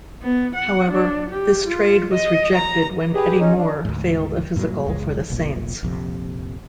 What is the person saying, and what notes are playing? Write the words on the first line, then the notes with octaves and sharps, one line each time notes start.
However, this trade was rejected when Eddie Moore failed a physical for the Saints.
B3
F#5
D4
G4
F4
D#5
A#5
G4 G#4 B4
C#4 D#4
D4
D2 G#2
G2 A#2 D#3 F#3
F#1 C#2 G#3
F1 B1 A#2
A#1 F2 C3